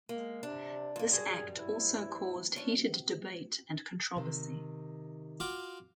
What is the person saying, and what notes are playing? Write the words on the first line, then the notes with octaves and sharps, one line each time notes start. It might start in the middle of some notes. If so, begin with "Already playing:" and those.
This act also caused heated debate and controversy.
G#3 A#3
C3 D4
F2 A#3
F#2 G3 G#4
E4
C#4 D4
C3 D#3
F4 F#4 D6